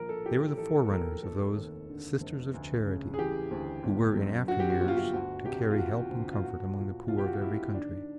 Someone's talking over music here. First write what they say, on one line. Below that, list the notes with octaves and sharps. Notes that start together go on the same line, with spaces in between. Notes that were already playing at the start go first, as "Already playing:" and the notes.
They were the forerunners of those "Sisters of Charity" who were in after years to carry help and comfort among the poor of every country.
Already playing: A#1 A#4
A4
A2 G4
G4
E3 A4
A4
A#1 A#4
F1 A4
D#2
D3
F1
D2
C#3
G#4
E3 G4
D2
G1
F#2
D3 F#4
G4
F#4
G1 F#4
F4
F#4
D2 F#4
C3 G4
F4
E3 F#4
D2
F4
A#2 F#4
A#2
C2 F4
G4
F#4
F4
C2 E4
D#3 D4